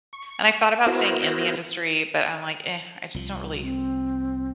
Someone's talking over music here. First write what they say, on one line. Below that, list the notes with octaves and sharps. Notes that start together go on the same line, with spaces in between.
And I thought about staying in the industry, but I'm like, "Eh, I just don't really
C#6
B3 E4 F#4 A#4 C5
C2 F3
C4